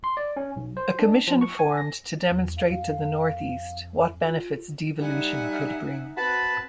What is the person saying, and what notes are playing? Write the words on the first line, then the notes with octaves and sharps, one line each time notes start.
A commission formed to demonstrate to the North East what benefits devolution could bring.
C6
D5
C#4
B1
C5
D4
F3
C#6
G#5
A#6
E2
F5
F2 F5
F4
G3 D#4 E5 F#5 G#5
C4 F#4 B4 A5 B5